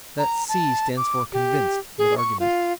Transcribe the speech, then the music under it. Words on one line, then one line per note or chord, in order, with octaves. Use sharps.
That 'C' stands for 'convinced,' with argument.
A#5
A5
D6
G4
G#4
C#6
F4